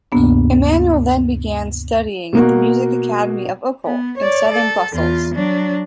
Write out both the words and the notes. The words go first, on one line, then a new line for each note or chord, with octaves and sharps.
Emmanuel then began studying at the "Music Academy of Uccle" in Southern Brussels.
D2 G2 C3 A#3 B3 D4
B2 A#3 F#4
B3
C#5 D5
A4
E2 F4
F#3 D4